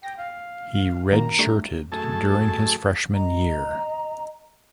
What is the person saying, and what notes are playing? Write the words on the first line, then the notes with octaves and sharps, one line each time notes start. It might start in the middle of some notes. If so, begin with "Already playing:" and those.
He redshirted during his freshman year.
G5 A#6
F5
F#2 D#3 A#3 A#5
G3 A3 D4
F#2 A3 G#4 A4 A5
D#5 A#5